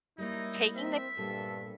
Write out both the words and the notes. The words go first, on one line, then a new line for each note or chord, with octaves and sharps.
Taking the
G3 A#3 D#4 E4 C#5
C4 E5
G2 A#2 G3 B3 A4